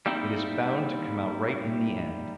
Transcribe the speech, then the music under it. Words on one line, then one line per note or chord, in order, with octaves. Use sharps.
"It is bound to come out right in the end."
G3 A#3 C4 D#4 E4